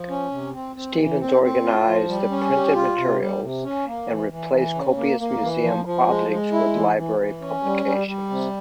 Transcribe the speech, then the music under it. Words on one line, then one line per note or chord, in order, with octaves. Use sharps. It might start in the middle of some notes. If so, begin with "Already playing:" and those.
Stevens organized the printed materials and replaces copious museum objects with library publications.
Already playing: F3
C#4
C3
C4
C4
E3
C4
C4
F4
F3
G3
C#4
G3
F4
C3
G3
C3
C#4
A#3
E3
E3
E3
C#3
A#3
A#3
E3
F3
F3
G#3
G#3
E4
E3
E3
E3
C#4
G3
G3
G3
C3